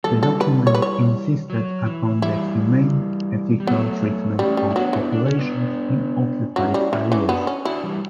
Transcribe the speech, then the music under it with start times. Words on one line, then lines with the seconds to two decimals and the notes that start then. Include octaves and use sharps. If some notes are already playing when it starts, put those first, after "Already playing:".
The document insisted upon the humane, ethical treatment of populations in occupied areas.
0.04 E3 G3 A4
0.23 A4
0.41 B4
0.67 C#5
0.75 B4
0.82 C#5
1.50 F#3
1.86 E3
2.22 E3 G3 E4
3.60 G3
3.67 F#3 A3 B3
4.39 G3 A3 C#4
4.57 G3
4.71 E4
4.76 F#3 B3 D4
4.93 E3
5.12 D4
5.25 C#4
5.39 B3 D4
6.56 F#3 C#4 E4
6.74 G3
6.93 E3 C#4 E4
7.12 E3
7.29 B3 D4 F#4
7.47 C#4
7.65 D4 E4 F#4
7.83 E3 G3